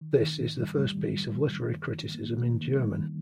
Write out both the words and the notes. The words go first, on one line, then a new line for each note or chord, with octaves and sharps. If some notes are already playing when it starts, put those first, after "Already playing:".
This is the first piece of literary criticism in German.
D#3
D#3
G#2
G3
G3
D#3
G3
D#3
D#3
G2
D#3
A#3
A#3
D#3
G3
D#3